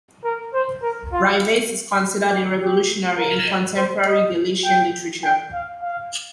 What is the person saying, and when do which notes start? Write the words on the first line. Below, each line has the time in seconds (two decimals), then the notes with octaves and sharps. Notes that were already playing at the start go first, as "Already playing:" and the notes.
Rivas is considered a revolutionary in contemporary Galician literature.
0.24 A#4
0.53 C5
0.82 A#4
1.12 F4
2.29 G4
2.59 G4
3.17 A#4
3.76 C5
4.05 D#5
4.64 G5
5.23 G5
5.53 F5
5.82 F5